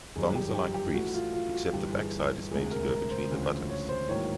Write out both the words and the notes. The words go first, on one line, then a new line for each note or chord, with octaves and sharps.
Thongs are like briefs, except the backside is made to go between the buttocks.
G1 F#2 D#3 G3 G#4
G4
G4
G4
A1 A2 F3 A3 F#4
F4
F4
F#4
G1 G2 E3 G4
G#4
E1 D2 C3 G#4
A#4
A#4
C5
E1 D2 C#3 F3
C#5
C5
A1 G#2 D#3 F#3 A#3 C#5